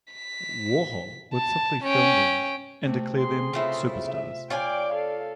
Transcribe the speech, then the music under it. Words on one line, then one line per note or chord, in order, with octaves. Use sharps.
Warhol would simply film them, and declare them "superstars".
B6
A5
C#4 G5
C3 A3
G#4 C6
C#3 A3 C4 E4 F4 E6
E5
F4 C#5 D5 G5 G#5 D6
A4 F5